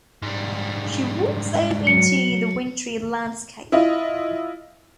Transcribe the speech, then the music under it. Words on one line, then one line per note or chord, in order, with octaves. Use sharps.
She walks off into the wintry landscape.
G#2 G3
F#3 C#7
E4 F4 D#5